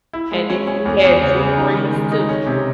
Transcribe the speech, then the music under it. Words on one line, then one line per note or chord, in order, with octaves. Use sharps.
and then we had Drew Brees, too.
E4
G#3
C#4
C#4
E2
E2
C#3
C#3
D#4
D#3
G#3
D#4
C#4
C3